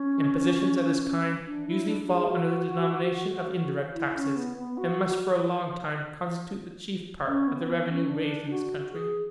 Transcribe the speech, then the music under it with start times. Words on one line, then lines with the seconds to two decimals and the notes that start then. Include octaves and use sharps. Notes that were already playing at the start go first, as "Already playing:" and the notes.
Impositions of this kind usually fall under the denomination of indirect taxes, and must for a long time constitute the chief part of the revenue raised in this country.
Already playing: C#4
1.46 D4
1.68 E4
1.88 D4
2.09 G#4
2.29 F#4
3.95 E4
4.16 C#4
4.36 B3
4.58 B3
4.77 F#4
5.05 F#4
7.27 C#4
7.48 B3
7.61 C#4
7.67 B3
7.89 C#4
8.09 D4
8.51 F#4
8.93 G#4